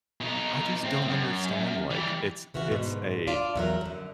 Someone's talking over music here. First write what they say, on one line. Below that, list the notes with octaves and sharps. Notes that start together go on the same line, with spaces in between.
I just don't understand, like, it's it's a
B2 D#4
A2 C4
F#2
E3 G3
C#3 E3 C#4 F#4
G#2 B2 D3
D4 F4 D5
E2 F#3 A#4
F#2 D3